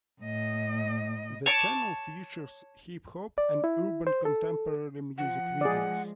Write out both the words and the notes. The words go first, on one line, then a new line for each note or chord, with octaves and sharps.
The channel features hip-hop and urban contemporary music videos.
A2 D#5
C#5 A5 D6
D5
E4
C5
A4
F3 F#5
F3 G#3 G#4 D5